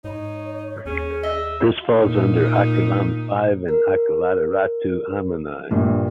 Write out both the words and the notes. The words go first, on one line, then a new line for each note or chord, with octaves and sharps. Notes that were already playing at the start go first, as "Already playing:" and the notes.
This falls under Akilam five in Akilattirattu Ammanai.
G#2 D#4 C#5
D#2 C#4 G#4
D#5 E5
A#2 D#4
A#4
A#1 G2 A#2